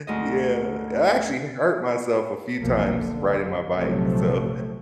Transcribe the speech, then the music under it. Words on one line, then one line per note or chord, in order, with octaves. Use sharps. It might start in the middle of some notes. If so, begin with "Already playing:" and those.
yeah. I actually hurt myself a few times riding my bike. So,
D2 G#2 D#5
F1 B1 F3 A#3
D3
A#1 C3 F3 F#3 A3